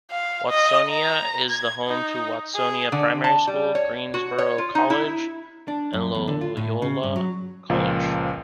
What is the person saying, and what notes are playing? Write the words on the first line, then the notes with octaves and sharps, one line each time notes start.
Watsonia is also the home to Watsonia Primary School, Greensborough College and Loyola College.
F5
D#5
A#5
G#6
D#4
G#4
D3
A5
G3
C#5
F#4
C#5
F4
D#4
E4
D4
F#2
E2
D3
F4
A2
C#3
G2
F#3
C#2 A#2 F3